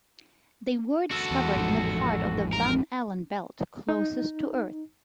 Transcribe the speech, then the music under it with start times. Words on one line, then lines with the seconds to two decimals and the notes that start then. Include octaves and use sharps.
They were discovered in a part of the Van Allen belt closest to Earth.
1.11 F#4 A4
1.31 E2
1.56 A1 F2 G#2
2.53 A#4
3.89 D#4